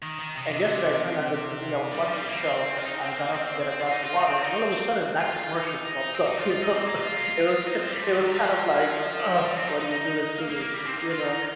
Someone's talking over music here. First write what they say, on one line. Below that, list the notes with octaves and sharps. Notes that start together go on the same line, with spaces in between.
and yesterday I turned on the TV, I was watching a show, I got up to get a glass of water and all of a sudden that commercial pops up, you know? So, it was k it was kind of like, "Ugh, why do you do this to me?" You know?
D#3
D#3
C3
C3
G3
F3
G3
A#3
C4
F4
D#4
C4
A#3
C4
F4
D#4
F4
D#4
C4
D#4
C4
F4
F4
F4
D#4
C4
D#4
F4
F4
D#4
C4
A#3
F4
D#4
C4
G3
F3
D#3
F3
G3
C4
D#4
D#4
D#4
A#3
A#3
A#3
G3
C4
D#4
F4
D#4
D#4